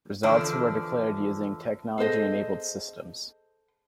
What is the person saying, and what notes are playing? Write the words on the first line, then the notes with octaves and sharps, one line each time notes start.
Results were declared using technology-enabled systems.
E2 D3 F3 D4
G#4 A4 C5 D#5